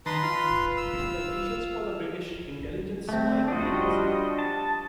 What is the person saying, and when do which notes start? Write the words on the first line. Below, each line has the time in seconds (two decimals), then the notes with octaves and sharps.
It's the initials for the British intelligence spying agency.
0.06 D#3 B4 A5 A#5 C6
0.23 F4
0.77 E6
3.09 A3 C4
3.48 F3 G3 D4 F#4 D#5
4.39 A5